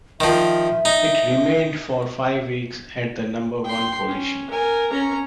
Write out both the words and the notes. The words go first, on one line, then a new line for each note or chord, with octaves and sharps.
It remained for five weeks at the number-one position.
D#3 F3 E5
D#4
G5 C6
C#4
A#4 G#5
C#4 A#5